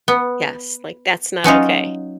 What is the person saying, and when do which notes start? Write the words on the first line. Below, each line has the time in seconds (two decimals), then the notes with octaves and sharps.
Yes, like, that's not okay.
0.08 B3
1.44 F#3 C#4 D#4 F4